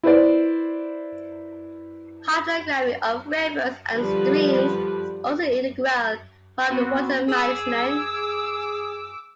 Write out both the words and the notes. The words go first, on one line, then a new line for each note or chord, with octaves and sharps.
Hydrography of rivers and streams is also an integral part of water management.
E4 B4 C5 D5
D3 F3 G3 B4 D5
B3 C4 F#4
G#4 D6 E6